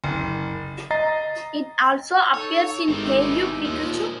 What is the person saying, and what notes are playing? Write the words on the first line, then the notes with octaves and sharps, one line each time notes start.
It also appears in Hey You, Pikachu!
F#1
D#5 A#5 A6 C7
D#4 A4 C#5
G#1 D#3 C4 D#4 E4 G4
B2 G#3
D#2 F3 G#3
A#2